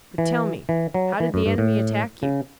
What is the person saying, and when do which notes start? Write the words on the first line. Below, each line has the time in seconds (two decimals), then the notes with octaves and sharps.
"But tell me, how did the enemy attack you?"
0.18 E3
0.69 E3
0.94 F#3
1.20 E3
1.34 F#2
1.46 G2
1.58 A2
2.23 C#3